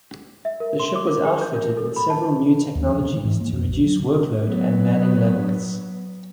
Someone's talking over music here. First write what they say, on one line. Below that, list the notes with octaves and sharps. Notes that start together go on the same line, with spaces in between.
The ship was outfitted with several new technologies to reduce workload and manning levels.
E5
A#4
C6
D6
A#4
G#4
G6
A#4
A4
B5
A5
D#2
F3
C3
E3
G#2
A#3
F2
A#1
F#3
C#3
F#3 B3